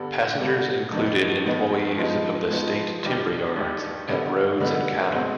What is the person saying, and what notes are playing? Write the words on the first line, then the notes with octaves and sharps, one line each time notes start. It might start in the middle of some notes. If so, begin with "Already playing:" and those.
Passengers included employees of the State Timber yards at Rhodes and cattle.
Already playing: G2 D3 G3 B3
G2 D3 G3 B3
F2 D#3 B3 D#4
F2 D#3 B3 D#4
F3 G#3 B3 D#4
F3 G#3 B3 D#4
D#2 D#3 G3 D4 G4
D#2 D#3 G3 D4 G4
D3 G3 B3 D#4
D3 G3 B3 D#4
B2 G#3 C4